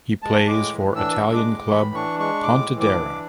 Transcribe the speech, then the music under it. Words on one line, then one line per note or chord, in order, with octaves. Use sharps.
He plays for Italian club Pontedera.
G#3 A5
A2 D6
E3
D4 E6
G#3
D6
A2
E3 B5
D4 C#6
G#3 C#6
A2 D6
E3
D6
D4